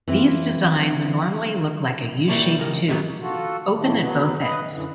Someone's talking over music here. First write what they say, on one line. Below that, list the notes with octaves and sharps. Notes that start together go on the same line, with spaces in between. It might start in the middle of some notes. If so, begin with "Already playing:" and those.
These designs normally look like a U-shaped tube, open at both ends.
E3 C4 E4 F4
E3 G3 A#3 C#5 D5
C#2 A#4
D3 D#3 F#3 G3 B3
F4 F#4 A4
A2 D#3 A3
F#3 B3
B4 D#5
F#2 D3 E3